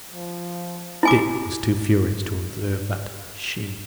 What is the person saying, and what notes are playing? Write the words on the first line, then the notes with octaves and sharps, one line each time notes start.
Dick was too furious to observe that "she."
F3
E4 G#5 D6